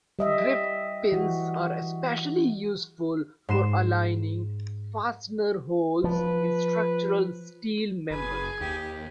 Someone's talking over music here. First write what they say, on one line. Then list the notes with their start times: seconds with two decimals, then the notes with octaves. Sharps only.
Drift pins are especially useful for aligning fastener holes in structural steel members.
0.19 G3 D#5 E5
1.12 E3 F#4
3.49 G#2 C6 E7
6.04 F3 B4
8.10 F#1 G#4 B4 G#5
8.61 D#2 G4